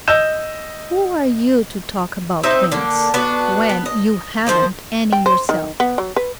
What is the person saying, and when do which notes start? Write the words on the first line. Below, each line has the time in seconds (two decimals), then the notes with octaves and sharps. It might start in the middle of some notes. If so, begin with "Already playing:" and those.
"Who are you, to talk about wings?--when you haven't any yourself."
0.08 D#5 E6 G6 E7
2.43 C4 D#4 D#5 E5
2.72 D3 A#3
3.14 B3 D4 F#4
3.69 B3
3.86 D#5
4.47 D#3 F3 B4 C5
5.13 G5
5.26 C5
5.49 D#3
5.80 B3
5.98 F#3
6.16 B4